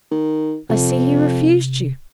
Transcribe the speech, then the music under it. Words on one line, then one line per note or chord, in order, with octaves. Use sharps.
"I see he refused you."
D#3
F2 C3